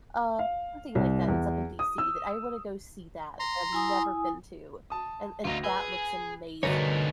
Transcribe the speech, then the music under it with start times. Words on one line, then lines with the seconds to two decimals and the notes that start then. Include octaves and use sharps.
Uh, something like that that's up in DC that I wanna go see that, that I've never been to, and and that looks amazing.
0.39 F5
0.95 C2
1.28 E2
1.79 D#6
1.98 E6
3.40 A#5 C6
3.73 E4 G#5 D#6
4.90 A5 D#6
5.45 D2 D#4 F4 A#6
5.64 G#4 B4 E6 G7
6.63 G1 B2 D3 A3 D#4 A#4 C#5